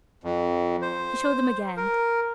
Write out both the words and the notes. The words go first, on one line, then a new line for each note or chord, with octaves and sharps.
He showed them again.
F2
C5
A#4